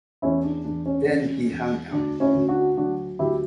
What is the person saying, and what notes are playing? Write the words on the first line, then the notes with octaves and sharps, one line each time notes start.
Then he hung up.
E2 C#4 E4
D4
E2 D4
C#4
E2
E2
D2 D4
C#4 E4
D2
D4 F#4
F#3 D4 F#4
D2 E4 G4